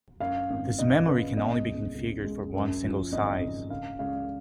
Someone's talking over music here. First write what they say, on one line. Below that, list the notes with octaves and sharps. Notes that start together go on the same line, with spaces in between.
This memory can only be configured for one single size.
F#2 F5
G#1
G#1 D#5
C#3 B4
B2 D#5
C#2
C#2
G#3
F#2
F3
G#1 D#5
C#3
C#3 F5
C#2 F5